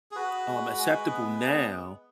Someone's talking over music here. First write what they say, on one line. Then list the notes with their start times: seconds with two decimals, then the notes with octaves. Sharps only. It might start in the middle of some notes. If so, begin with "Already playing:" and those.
um, acceptable now
0.11 G#4
0.16 F#4 B4
0.47 G#3
0.78 G#3
1.09 B3
1.40 B3